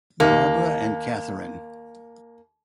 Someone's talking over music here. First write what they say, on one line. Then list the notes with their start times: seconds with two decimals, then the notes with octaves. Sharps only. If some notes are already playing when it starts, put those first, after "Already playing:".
Barbara and Catherine.
0.20 D#2 A#3